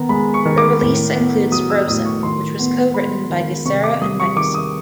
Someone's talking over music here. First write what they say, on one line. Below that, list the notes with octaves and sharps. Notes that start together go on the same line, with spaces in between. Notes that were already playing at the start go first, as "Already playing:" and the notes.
The release includes "Frozen" which was co-written by Gissara and Michaelson.
Already playing: D#3 B3 A#5
G#3 B5
C#6
D#3
D6
A2
B3
F#3 D#6
E6
A2 D#6
C#6
D#3 C6
B3
G#3 B5
D#3
C3 C#6
D6
G3 D#6
C#6
D#3 D6
D#6